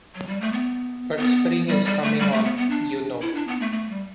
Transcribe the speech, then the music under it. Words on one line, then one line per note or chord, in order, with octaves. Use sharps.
But spring is coming on, you know.
F#3
G3
A3
B3
B3
G3
G3
A3
G3
A3
B3
B3
D4
E4
D4
B3
A3
A3
G3